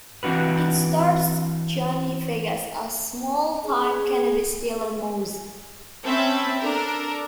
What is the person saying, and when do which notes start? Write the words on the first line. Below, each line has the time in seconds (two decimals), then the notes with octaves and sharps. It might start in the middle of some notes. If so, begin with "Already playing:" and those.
It stars Johnny Vegas as small-time cannabis dealer Moz.
0.23 E3 C4 D4 F#4 B4
3.66 G#4
6.03 C4 C#4 E5 A5 B5
6.59 D4 A4 A#4